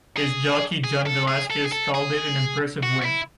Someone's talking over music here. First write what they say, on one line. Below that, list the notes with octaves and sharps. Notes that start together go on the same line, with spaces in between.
His jockey John Velazquez called it an impressive win.
G#4
G#4
A4
G#4
A4
G#4
A4
G#4
F#4
F#4
E4